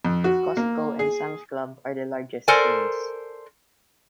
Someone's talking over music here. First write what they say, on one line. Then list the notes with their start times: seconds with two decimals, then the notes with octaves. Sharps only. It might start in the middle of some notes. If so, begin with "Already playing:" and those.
Costco and Sam's Club are the largest chains.
0.05 F2
0.24 F#4
0.57 A#3
0.99 G#4
2.48 A4 A#4 C5 D5 G#5